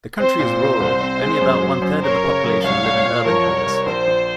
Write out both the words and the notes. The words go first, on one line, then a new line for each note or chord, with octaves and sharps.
The country is rural: only about one-third of the population live in urban areas.
C4 C5
A#2
C4
C2
C4
G#3
F#2
F#3
F#2
F#2 A#4 C#5
C#3
F#2
C2 C#5 F5
C2
A#2
F3 A#4 C#5
C2
C2
A#1 C5
A#1